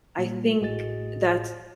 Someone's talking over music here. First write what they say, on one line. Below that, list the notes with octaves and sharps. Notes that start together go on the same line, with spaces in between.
I think that's
A#2 G3
A1 A2 F#4 G#4 D#5 A6